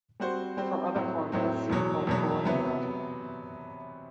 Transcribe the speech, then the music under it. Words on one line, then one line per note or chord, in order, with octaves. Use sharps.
For other formulas, see the polar coordinate article.
G3 C4 F#4 C5
G3 C4 F#4 C5
A2 F#3 C4
A2 F#3 C4
E2 B2 F#3
E2 B2 F#3
C3 F#3 B3 E4